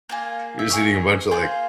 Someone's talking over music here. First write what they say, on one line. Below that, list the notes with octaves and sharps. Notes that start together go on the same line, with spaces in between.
you're just eating a bunch of, like,
A#3 F4 G#4
E5
A#3 F4 G#4 A#4 C#5
A#3 F4 G#4 C5